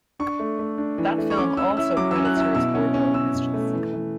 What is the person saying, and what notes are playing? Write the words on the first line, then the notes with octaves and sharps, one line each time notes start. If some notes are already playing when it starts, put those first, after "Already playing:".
That film also credits her as wardrobe mistress.
D4 C#6
A3
A3
D4
E3
A3
C#6
C#4 D6
C#4 E6
E4 E6
F#3 D6
E6
C#4
F#6
E4 E6
B2 E6
C#4
C#4
C#4 E6
B2
A3
E3
E3